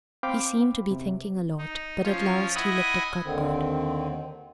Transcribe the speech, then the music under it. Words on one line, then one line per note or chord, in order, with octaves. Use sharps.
He seemed to be thinking a lot, but at last he looked at Cuthbert.
C4 F5 G5 B5 D6
C3
D#4
F3 C#4 F4 C#5
E4 D#5 F#5 G#5 B5 D#6
D#2 D3 D#3 C4